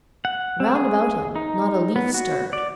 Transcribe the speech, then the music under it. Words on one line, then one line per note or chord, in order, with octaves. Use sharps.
Round about him, not a leaf stirred.
F#5
C4
G#4
D#4
B3
F#4
D5